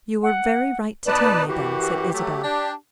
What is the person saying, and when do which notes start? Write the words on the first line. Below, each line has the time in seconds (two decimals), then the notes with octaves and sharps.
"You were very right to tell me then," said Isabel.
0.23 F#5
1.07 B2 D#4 B4 D5 A5
1.47 F#2 E3 F#4 G4
2.12 F#3 A3
2.43 D4 G4